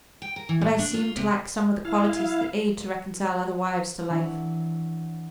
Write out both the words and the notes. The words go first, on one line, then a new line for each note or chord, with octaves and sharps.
But I seemed to lack some of the qualities that aid to reconcile other wives to life.
G5
A#4
E3
A#2
D4
F4
C3
E4 F5
E3 F#3 D4 E4